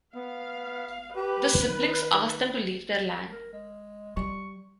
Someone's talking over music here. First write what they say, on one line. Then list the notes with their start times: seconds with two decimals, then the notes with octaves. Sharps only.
The siblings ask them to leave their land.
0.15 B3 F5
1.16 G4 B4
1.60 D#3
3.30 A#4
3.53 G#3
4.17 G3 C#6